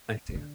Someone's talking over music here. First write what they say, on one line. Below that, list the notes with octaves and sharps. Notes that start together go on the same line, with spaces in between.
I see.
C3
D3